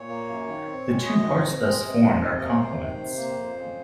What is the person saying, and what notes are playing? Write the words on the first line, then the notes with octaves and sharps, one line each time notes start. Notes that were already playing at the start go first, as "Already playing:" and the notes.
The two parts thus formed are complements.
Already playing: A#2 C#5
A#3
F#2
D#3
C4
G#3
F#2 D#5
D#3
C4
G#3
C3
D#3
C3
A#3 D#5
C#5
C3 C5
D#3
C3
A#3
F2
C#3